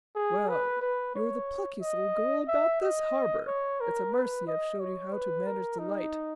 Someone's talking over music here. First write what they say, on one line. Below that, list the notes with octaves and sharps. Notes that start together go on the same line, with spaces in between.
Well, you are the pluckiest little girl about this harbour! It's a mercy I've showed you how to manage the light.
G#4
B4
B4
C#5
D#5
E5
D#5
C#5
A#4
B4
D#5
C#5
B4
A#4
D#4